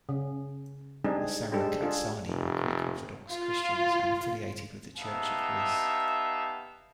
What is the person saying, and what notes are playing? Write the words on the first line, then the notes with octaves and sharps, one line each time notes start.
The Sarakatsani are Greek Orthodox Christians and affiliated with the Church of Greece.
C#3
G3 G#3 C4 D4 D#4 G#4
G3 G#3 D4 G4 A4 C5
D4 F4 G#4 A4
F1
F4
B3 D#4 G4 E5 F5 A5